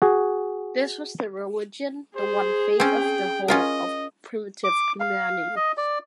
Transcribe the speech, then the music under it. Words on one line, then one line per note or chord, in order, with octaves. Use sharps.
This was the religion, the One Faith of the whole of primitive humanity.
F#4 G#4
G#4 C5
C4 C#4 G5
C#4 F4 A#4 D#5
D6
F5
D#5
D5